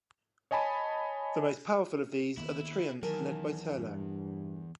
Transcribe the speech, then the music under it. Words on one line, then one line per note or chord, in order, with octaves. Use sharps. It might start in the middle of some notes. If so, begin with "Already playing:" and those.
The most powerful of these are the treants led by Turlang.
C#5 D#5 G#5 A5 B5
D#3 A#3 B3 E4
E2 D#3 F#3 A#4 G#5 A5
G2